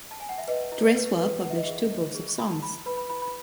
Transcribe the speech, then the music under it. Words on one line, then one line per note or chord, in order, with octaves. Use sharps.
Dressler published two books of songs.
A5
G#5
F#5
E5
B4 D#5
E4
B4
B4
D#4 F#5
E5
D#5
G#4 E5
D#4
G#4
C#6
E4 B5
A5
E4 B5
B4 B5
B5
E4 B5
B5